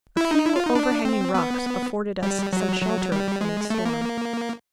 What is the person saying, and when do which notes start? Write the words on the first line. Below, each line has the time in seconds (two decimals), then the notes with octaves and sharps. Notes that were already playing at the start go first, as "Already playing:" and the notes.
A few overhanging rocks afforded us some shelter from the storm.
0.17 E4
0.31 D#4
0.45 E4
0.56 F4
0.66 D#4
0.75 D4
1.05 C4
1.34 B3
2.23 G3
2.53 F#3
2.82 F#3
3.12 G3
3.41 G#3
3.70 A3
3.85 A#3